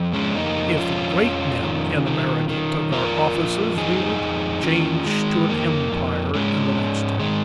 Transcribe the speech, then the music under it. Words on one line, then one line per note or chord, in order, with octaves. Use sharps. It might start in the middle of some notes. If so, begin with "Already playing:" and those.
If the great men in America took our offices, we would change to an empire in the next ten years.
Already playing: F2 F3
G#3 C#4
F2 A#3 D#4
F3 C#4 F4
F2
D#3
D#3
D#3
F2 F4 A#4
F3
F2 D#4 G#4
F2
D#3 C#4 F4
D#3 G#3
F2 A#3
F2
G#2 G#3 C#4
G#2
D#3 G#3